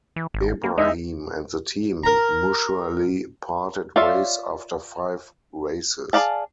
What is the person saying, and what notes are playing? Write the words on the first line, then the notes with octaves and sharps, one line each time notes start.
Ebrahim and the team mutually parted ways after five races.
E3
G#1
A#3
G#3 D#4 E5
A#4 A#5
F4 C#5 D5 E5 F5
G#4 A4 D5 F5 A5